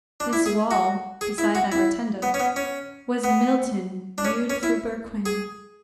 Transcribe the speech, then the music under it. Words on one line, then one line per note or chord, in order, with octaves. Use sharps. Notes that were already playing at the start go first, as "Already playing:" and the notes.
This wall, beside that rotunda, was Milton viewed through Berquin.
D4
E4
G#4
F#4
G#4
E4
F#4
E4
B3
C#4
B3
C#4
B3
D4
C#4
C#4
E4
G#4